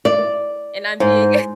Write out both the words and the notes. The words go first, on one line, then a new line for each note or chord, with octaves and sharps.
and I'm being
D5
G#2